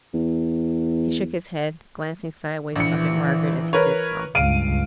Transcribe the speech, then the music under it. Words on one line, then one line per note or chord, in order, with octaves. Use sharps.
He shook his head, glancing sideways up at Margaret as he did so.
E2
A#1 E3 C#7
A#4 B4 C#5
C#2 G2 F5 D7 D#7